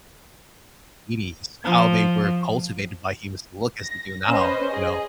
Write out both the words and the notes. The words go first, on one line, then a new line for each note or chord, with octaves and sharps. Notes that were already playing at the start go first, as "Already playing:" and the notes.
and zucchinis, how they were cultivated by humans to look as they do now, you know?
F3
A#6
C#4 B4 C5 D#5
G#4 D#5